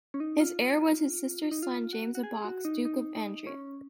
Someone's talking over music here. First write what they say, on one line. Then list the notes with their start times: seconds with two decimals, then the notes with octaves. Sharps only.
His heir was his sister's son James of Baux, Duke of Andria.
0.14 C#4
0.20 D#4
0.40 F4
1.51 D#4
1.63 F4
1.93 F#4
2.15 F#4
2.23 G#4
2.44 F#4
2.65 D#4
2.85 D#4
3.16 D#4
3.47 C#4